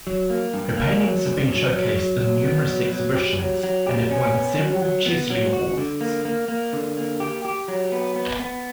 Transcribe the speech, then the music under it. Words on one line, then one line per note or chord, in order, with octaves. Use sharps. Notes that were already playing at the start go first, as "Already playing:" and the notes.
Her paintings have been showcased in numerous exhibitions and have won several Chesley awards.
F#3
A#3
G2
A#3
F#3
G2
F#3
F#3
F#3
F#3
B3
F#3
F#3
G4
F#3
F#3
G4
C#4
B3
F#3
F#3
B3
F#3
F#4
D3
A#3
A#3
A#3
D3
A#3
G4
G4
F#3
B3
B3
B3